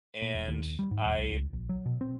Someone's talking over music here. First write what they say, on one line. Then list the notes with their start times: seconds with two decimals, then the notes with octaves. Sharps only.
and I
0.22 A#2
0.34 E1
0.48 D#2
0.79 G3
0.91 G#2
1.05 D#1
1.18 C2
1.31 C#2
1.53 A#1
1.69 F#3
1.86 B2
2.01 C4